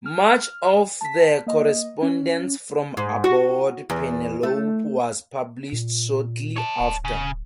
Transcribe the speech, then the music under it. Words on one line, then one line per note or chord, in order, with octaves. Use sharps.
Much of the correspondence from aboard "Penelope" was published shortly after.
F6
A5 B6
A#3 D#5
C#4
G#2
F#4
E2
A3
A#2
C#5 A5
D1
C#3